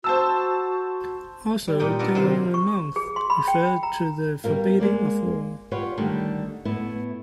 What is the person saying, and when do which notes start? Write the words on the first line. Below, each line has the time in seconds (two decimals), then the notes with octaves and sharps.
Also during the month referred to the forbidding of war.
0.04 F#4 C5 A5 E6
1.68 G3
1.80 A#2 D#4 G5
1.99 B3 D4 A4 A#4
2.15 C3 D#3 C5 F5
2.54 C#6
2.96 G#4
3.16 C6
3.30 B5
3.48 G5
3.83 A#5
4.44 B2 E3 G3 A#4 F5
4.80 G#3 A#3 D5
5.72 F4 G4 B4 C#5 D5 F#5
5.97 D3 D#3 G3 A3
6.65 A2 B3 E4